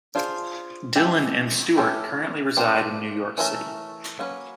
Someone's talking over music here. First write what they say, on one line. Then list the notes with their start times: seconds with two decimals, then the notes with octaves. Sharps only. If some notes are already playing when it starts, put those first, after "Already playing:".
Dillon and Stuart currently reside in New York City.
0.15 D4 F4 G#4 C5
0.96 G#3 B3 E4 G4
1.76 A3 C#4 E4 G4 B4
2.57 A#3 D4 G4 C5
3.38 E3 A3 C#4 F#4 A#4
4.19 F#3 A#3 C#4 F#4 B4